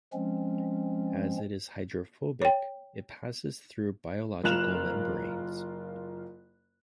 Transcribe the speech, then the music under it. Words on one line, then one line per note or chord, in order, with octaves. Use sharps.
As it is hydrophobic, it passes through biological membranes.
F3 G#3 C4 C#4
C#5 G5
F#1 F4 A#4 F#6 E7 F7